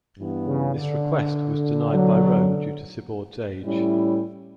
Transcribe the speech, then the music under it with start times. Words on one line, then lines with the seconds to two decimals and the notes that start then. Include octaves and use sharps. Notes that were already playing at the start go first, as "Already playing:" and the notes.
This request was denied by Rome due to Sibourd's age.
0.18 G2 E3 B3
0.46 C#3
0.75 D3
1.91 E2 B2 F#3
3.63 A2 G3 C#4 E4